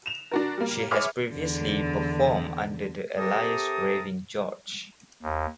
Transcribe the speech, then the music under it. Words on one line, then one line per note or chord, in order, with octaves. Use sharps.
She has previously performed under the alias Raving George.
E7 F7
D4 F#4 A#4
G3 A#3
G#4 B4 C#5 E5 D6 F6
E2 D3
C3 G4 A4 A#4 A5 D#6
D#2